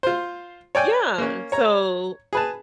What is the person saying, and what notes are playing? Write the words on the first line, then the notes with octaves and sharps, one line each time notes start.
Yeah. So
F4 C5
C#5 D5 G5 G#5
A#3 C#4
C#5 A#5
G#4 B4 A5